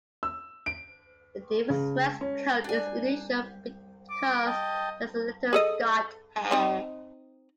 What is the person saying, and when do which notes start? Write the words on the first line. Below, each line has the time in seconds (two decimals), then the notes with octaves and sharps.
The Devon Rex's coat is unusual because there is little guard hair.
0.23 E6
0.66 D7
1.70 C#3
2.21 C#4
2.64 D4 G#5
4.10 D6
4.46 D#5 G5 A5
5.53 G#4 A4 D#5
6.51 C4 D#4 D#5